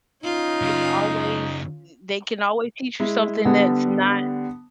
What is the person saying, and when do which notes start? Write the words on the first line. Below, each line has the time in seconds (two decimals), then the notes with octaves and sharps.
it's always th they can always teach you something that's not
0.24 C#4 D#4 F4
0.62 F#2 C#3
3.00 G#3 E4
3.45 D3 G3 B3